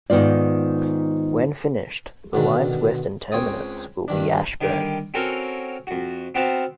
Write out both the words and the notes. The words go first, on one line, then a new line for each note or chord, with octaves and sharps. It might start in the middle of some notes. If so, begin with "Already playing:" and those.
When finished, the line's western terminus will be Ashburn.
G#2 D#3 B3 F4 D5
B2 D3 D#3
C#2 C4 C#5 G5 D#6
G2 D#3 D4
D3 D#3 G3
C4 C#4 F#4 A4 A#4 C#5
F2 F#4
B3 C4 F#4 F5 F#5 A5